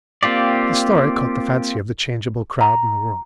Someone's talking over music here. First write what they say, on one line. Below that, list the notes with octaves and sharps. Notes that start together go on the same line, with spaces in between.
The story caught the fancy of the changeable crowd in the room.
A#3 C4 F4 G4 D5
A#5